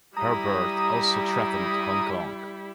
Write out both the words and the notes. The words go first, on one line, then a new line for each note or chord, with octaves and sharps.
Herbert also threatened Hong Kong.
G3 E4 A#5 D#6